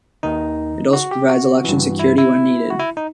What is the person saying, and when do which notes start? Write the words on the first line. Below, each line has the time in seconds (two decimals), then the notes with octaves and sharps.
It also provides election security when needed.
0.23 D#2 D#3 D#4
0.93 F#4
1.11 G4
1.29 F#4
1.64 G2 E3
1.99 E4
2.18 E4
2.70 F#4
2.79 E4
2.97 D#4